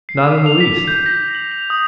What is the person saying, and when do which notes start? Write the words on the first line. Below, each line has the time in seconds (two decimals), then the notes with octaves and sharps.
"Not in the least."
0.09 C7
0.27 D6
0.46 F7
0.60 B6
0.87 G6
1.06 A#6
1.35 F#7
1.52 F7
1.70 D#6